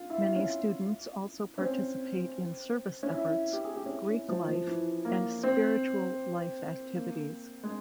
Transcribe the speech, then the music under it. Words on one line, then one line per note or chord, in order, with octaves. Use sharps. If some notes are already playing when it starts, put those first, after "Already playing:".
Many students also participate in service efforts, Greek life, and spiritual life activities.
Already playing: F4
E4
C#4
C#4
C4
C#4
E4
G4
G#4
G4
C#4
E4
C#4
F3
F3
E3
A#3
C4
A#3
G#3